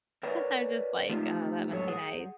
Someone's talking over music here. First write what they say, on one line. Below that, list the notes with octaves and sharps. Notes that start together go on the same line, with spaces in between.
I'm just like, "Oh, that must be nice."
A#4 B4 C#5 D5 F#5 G#5
F3 A3 D#4 F4 G4
F2 A2 F#3 E4 A4 C#5
G#4 F#5